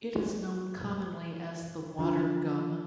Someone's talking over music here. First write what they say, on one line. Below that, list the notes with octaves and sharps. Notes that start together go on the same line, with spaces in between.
It is known commonly as the water gum.
D3 F3